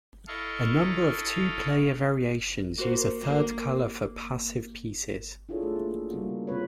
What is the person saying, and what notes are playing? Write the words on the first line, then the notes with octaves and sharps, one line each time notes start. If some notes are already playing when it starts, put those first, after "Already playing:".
A number of two-player variations use a third colour for passive pieces.
E4 A4 D#5 F5 C#6
A#3 F#4 C5
A#3
D4 E4 F4 G#4 A4 C#5
A3 A4
A#3
C#3 G3 A#3 C#4 F#4
C#3 C4 F4 B4 C#5